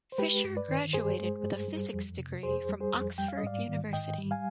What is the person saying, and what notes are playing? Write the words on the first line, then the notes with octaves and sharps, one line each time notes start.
Fischer graduated with a physics degree from Oxford University.
C5
G#3 G4 B4
G2
B4 D5
D#3
G2 G#4 C5
G#3
G2
G3
F2
C3
F2 G#4 C5
G3
G#4 C5
F2
G3 G5
F5
D#5
G#2 D5 F5
D#3
G#2 D#5 G5
G3
F5 G#5